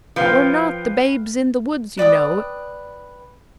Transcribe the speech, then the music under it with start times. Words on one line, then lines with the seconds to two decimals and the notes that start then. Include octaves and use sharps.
We're not the 'Babes in the Woods,' you know.
0.16 F3 B4 F5 G5
1.97 B4 D5 G5 D#6